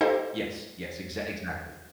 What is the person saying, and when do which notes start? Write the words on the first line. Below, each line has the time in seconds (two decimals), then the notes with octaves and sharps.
Yes, yes. Exact exactly.
0.01 D#4 G4 A4 C5 D#5 F5